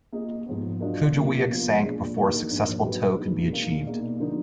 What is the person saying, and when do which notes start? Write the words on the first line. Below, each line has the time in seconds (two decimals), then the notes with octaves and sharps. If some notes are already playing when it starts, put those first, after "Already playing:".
"Kujawiak" sank before a successful tow could be achieved.
0.12 A#3 F4 G#4 D#5
0.46 G#2 F3 B3
0.80 F#3 D4 F4 A#4 D#5
1.15 B2 A#3 F4 A#4
1.48 F3 B3 F4
1.83 A#2 G#3 D4 G#4
2.17 D#3 A#3 D#4 F#4 A#4
2.50 G#2 F3 A#3 D4
2.85 F#3 D4 F#4 B4
3.19 A#2 G#3 D#4 F#4
3.52 A#2 G#3 D#4 A#4 F5
3.87 B2 A#3 D#4 G#4 D5
4.20 D3 F3 B3 D#4 A#4